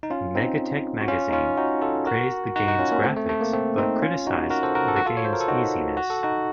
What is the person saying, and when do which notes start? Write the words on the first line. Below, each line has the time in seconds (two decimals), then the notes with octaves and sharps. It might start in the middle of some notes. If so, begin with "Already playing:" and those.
"MegaTech" magazine praised the game's graphics, but criticized the game's easiness.
0.03 D#4
0.10 C#4 F4
0.35 C4 D#4
1.01 F#4
1.08 C#4 F4
1.29 D#4
1.33 C#4 F4
1.57 D#4 F#4
1.82 F4 A4
2.06 F#4 A#4
2.56 D#4 F#4
2.68 D#4 F#4
2.79 C#4 F4
2.92 A#3 C#4
3.04 A3 C4
3.17 A3
3.29 A3
3.41 A#3
3.53 A3 C4
3.77 C4 D#4
4.02 C#4 F4
4.27 D#4 F#4
4.50 F#4 A#4
4.63 A4 C5
4.75 F#4 A#4
4.88 A4
4.96 F#4
5.06 F4 A4
5.17 C#5
5.25 C5
5.33 A#4
5.41 A4
5.48 D#4 F#4
5.97 F#4
6.10 A4
6.23 D#4 F#4